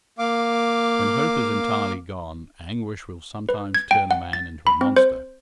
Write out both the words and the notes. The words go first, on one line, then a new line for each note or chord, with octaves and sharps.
When hope is entirely gone, anguish will sometimes turn a man into a monster.
A#3 F5 D6
B4
G#6
G5
F#5
A6
B5
C4
C5